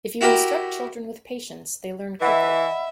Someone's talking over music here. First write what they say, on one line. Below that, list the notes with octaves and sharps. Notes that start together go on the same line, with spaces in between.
If you instruct children with patience, they learn quicker.
E4 F#4 G4 A#4 B5
E3 D#5 E5 F#5 B5